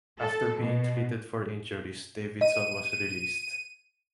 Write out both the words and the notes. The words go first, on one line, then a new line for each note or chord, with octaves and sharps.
After being treated for injuries, Davidson was released.
A4
B2
D#5 D#7